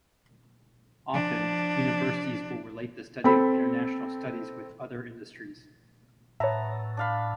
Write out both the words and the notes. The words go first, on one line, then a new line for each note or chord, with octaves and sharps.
Often, universities will relate the study of International studies with other industries.
F3 D4
C4 A4 B5
A2 B3 C#5 E5 A5 A#5
D4 F5 B5